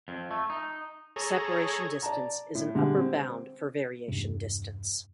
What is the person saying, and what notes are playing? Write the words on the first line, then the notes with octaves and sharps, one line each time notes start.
Separation distance is an upper bound for variation distance.
F2
A3
D#4
G#4 A4 C#5 A#5
D5 A5 A#5
A2
D3 G3 G#3
C4
E2 G2 C3 A3